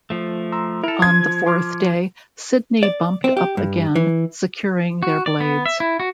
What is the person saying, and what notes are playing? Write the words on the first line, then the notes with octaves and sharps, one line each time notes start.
On the fourth day, Sidney bumped up again, securing their blades.
F3 A3
A#5 C6 E6
E4 A4 A#4
F3 C6 G#6
C6 D6 F6
D5
C4
G4
G2
E3
F#4
D5
B3
E5
E4
F#4